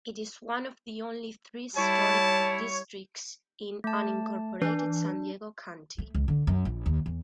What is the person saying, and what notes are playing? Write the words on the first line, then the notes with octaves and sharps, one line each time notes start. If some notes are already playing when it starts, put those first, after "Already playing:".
It is one of only three historic districts in unincorporated San Diego County.
G3 E4 C#5 A5
A3 A5
E3 D4
A3
C#2
D3
F#2
A#1
D#2
E2